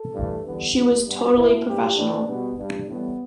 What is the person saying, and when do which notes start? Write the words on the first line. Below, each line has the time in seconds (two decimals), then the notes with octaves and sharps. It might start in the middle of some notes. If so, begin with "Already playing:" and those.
She was totally professional.
Already playing: A4
0.15 G2 E3 A3
0.45 E2 D3 G3 B3
0.76 E2 E3 G3 A3
1.06 G2 G3 B3
1.36 B2 A3 E4
1.67 G2 G3 G4
1.96 A2 E3 A3 D4
2.27 B2 G3 B3
2.57 G2 G3 D4
2.88 A2 E3 G3 B3